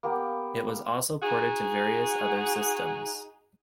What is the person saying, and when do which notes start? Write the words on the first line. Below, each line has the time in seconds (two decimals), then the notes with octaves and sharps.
It was also ported to various other systems.
0.03 A#3 B3 G4
1.22 D#4 F#4 G#4